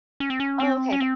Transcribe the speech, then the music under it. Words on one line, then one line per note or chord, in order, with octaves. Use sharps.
Oh, okay, tha
C#4
C4
C#4
C4
C#4
C4